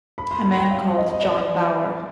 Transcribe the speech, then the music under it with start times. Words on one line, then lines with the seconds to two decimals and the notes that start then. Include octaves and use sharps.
A man called John Bauer.
0.18 B5
0.31 C6
0.44 B5
0.57 G5
0.71 F5
0.97 D#5
1.12 D#5
1.24 D5